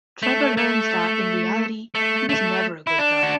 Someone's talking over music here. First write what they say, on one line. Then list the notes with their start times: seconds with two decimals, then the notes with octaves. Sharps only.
Trevor learns that in reality he was never a good guy.
0.23 A3
0.57 A3
1.95 A3
2.29 A3
2.87 E4
2.98 D4
3.23 F#4